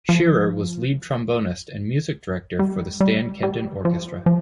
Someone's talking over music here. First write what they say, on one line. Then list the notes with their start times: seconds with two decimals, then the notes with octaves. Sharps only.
Shearer was lead trombonist and music director for the Stan Kenton Orchestra.
0.09 F3
2.59 G3
3.00 G3
3.43 G3
3.85 F3
4.26 F3